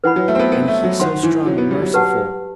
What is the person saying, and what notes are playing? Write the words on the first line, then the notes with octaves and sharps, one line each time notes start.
And He so strong and merciful.
E3 B4 F#5 B5
F#3
A3
C4
B3
B3
A3
F#3
D#3 C5 F#5 C6
E3
F#3
B3
G3
F#3
G4 B4 F#5 A5